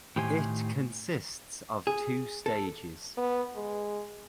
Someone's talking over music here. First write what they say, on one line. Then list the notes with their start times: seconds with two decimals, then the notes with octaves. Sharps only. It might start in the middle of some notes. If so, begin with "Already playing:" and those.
It consists of two stages.
0.16 A2 D#3 G4 C5 G#5
1.87 G#4
2.46 A4
3.17 B3
3.55 G#3